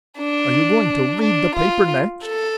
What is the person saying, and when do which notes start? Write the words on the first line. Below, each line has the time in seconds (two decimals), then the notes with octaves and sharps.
"Are you going to read the paper next?"
0.18 D4
1.22 D4
1.55 F4
2.25 A4